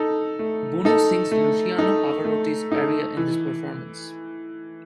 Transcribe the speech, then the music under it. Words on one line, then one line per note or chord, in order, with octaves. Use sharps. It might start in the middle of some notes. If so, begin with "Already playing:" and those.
Bono sings Luciano Pavarotti's aria in this performance.
Already playing: D#4 A4
A3
D#4 A4
A3
D#4 A4
A3
D#4 A4
E3